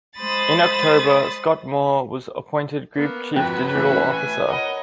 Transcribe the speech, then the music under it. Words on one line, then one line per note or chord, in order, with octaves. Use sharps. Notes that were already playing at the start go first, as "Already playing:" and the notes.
In October, Scott Moore was appointed Group Chief Digital Officer.
G#3 C5 B5 D#6 A6
A#3 B3
G1 F2 G#2 F#4 B4 G5
A2 E3 C#4 F#4
G#5
A#4 C#5 D#5 F#5 B5